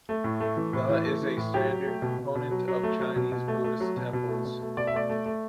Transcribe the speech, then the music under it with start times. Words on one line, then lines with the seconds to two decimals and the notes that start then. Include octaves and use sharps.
The is a standard component of Chinese Buddhist temples.
0.09 A3
0.24 A2
0.40 A3
0.57 E3
0.73 A2
0.89 E3
1.05 A3
1.22 E3
1.37 A2
1.54 F#3 G4
1.70 F#3
1.86 A3
2.02 B2
2.19 B2
2.35 B2
2.51 F#3
2.68 F#3
2.83 A3
2.99 F#3
3.16 B2
3.32 B2
3.48 A3
3.64 A3
3.80 F#3
3.96 B2
4.13 B2
4.29 A3
4.45 B2
4.62 A3
4.77 B2 D5
4.87 E5
4.94 A3 D5
5.09 A3
5.26 A3